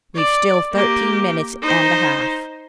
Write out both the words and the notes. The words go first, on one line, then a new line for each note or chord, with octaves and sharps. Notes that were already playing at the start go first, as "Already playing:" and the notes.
"We've still thirteen minutes and a half."
D5
A#3 G4
D#4 C5